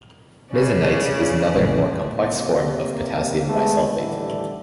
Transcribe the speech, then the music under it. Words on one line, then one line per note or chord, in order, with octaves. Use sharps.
Misenite is another, more complex, form of potassium bisulfate.
C#3 C#4 D5
A#1 A2 C#3 E3
C3 A#3
G#3 A3 B3
A1 D#2 A2 D3 E3 G3